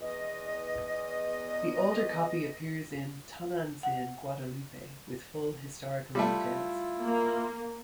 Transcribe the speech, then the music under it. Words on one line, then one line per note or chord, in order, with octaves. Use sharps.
The older copy appears in "Tonanzin Guadalupe" with full historical details.
E2 D#5
F#5
G3 A3 E4 F4
A#3